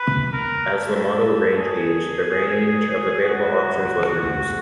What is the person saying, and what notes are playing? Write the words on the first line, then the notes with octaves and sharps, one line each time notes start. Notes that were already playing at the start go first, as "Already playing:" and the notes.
As the model range aged, the range of available options was reduced.
Already playing: B4
A#4
A4
G#4
F#4